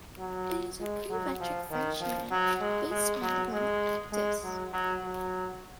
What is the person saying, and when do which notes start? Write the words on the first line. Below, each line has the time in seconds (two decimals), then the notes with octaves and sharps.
It is a pre-metric French unit based on the Roman "actus".
0.18 F#3
0.80 G#3
1.10 F#3
1.40 F3
1.70 D#3
2.00 F3
2.30 F#3
2.60 G#3
2.91 G#3
3.22 F#3
3.52 G#3
4.12 G#3
4.43 F#3
4.73 F#3
5.04 F#3